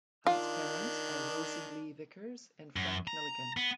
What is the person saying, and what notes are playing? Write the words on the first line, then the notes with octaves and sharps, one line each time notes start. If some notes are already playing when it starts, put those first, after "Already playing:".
Hunt's parents are Rosie Lee Vickers and Frank Milligan.
D#3 D4 F4
F#2
A#5
B3